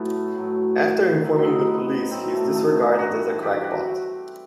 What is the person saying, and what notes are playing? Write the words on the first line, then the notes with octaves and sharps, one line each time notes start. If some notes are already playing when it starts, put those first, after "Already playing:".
After informing the police, he is disregarded as a crackpot.
Already playing: A2 F#3 A3 B3
A2 F#3
A2 F#3
C4
D#4
B3
D#4
A2 F#3 C4
A3
A3
D#4
G2 E3 F#4
G4
F#4